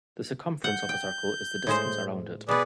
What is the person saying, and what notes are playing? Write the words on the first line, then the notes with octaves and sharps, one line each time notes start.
The circumference of a circle is the distance around it.
F#5 G6
G5
A2 G#3 C5
B2 B3 G#4 B4 D5